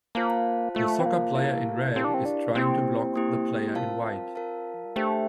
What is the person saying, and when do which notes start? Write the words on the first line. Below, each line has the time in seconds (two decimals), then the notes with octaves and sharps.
The soccer player in red is trying to block the player in white.
0.15 A#3 F4 C5 F5 A5
0.75 A3 F4 C5 F5 A5
1.00 C4
1.06 A#3
1.35 E4 G4 A#4 F5 A5
1.95 C4 E4 G4 A#4 F5 A5
2.04 D4
2.14 C4
2.25 D4
2.55 A#3 C4 E4 G4
3.16 A#3 E4 G4
3.75 F4 A#4 F5 A5
4.35 F4 A#4 F5 A5
4.74 F3
4.85 G3
4.96 A3 D4 G4 C5 G5